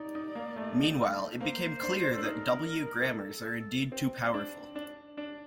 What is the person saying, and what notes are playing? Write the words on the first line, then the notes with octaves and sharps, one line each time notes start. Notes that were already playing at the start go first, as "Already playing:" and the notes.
Meanwhile, it became clear that W-grammars are indeed too powerful.
Already playing: D#4 D5
D#4
A#3
A3
A3
A#3 C5
D4
D4 A4
D#4 A#4
A4
A4
C4
D4
D4
D4